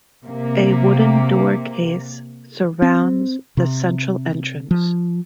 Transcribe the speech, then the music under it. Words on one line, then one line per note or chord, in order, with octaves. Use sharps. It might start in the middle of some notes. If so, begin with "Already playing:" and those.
A wooden door case surrounds the central entrance.
C3 A#3
C4
C3
F3